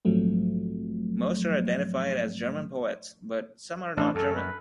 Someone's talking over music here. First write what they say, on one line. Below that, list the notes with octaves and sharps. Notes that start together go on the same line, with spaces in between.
Most are identified as "German poets", but some are not German.
A#1 G#2 F3 F#3 A3 C4
A1 D4
F#2 A4
B4